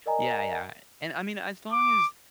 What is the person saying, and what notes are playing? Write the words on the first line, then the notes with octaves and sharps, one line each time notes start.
Yeah, yeah. And, I mean, as long as
A#4 D5 D#5 G#5 A#5
D6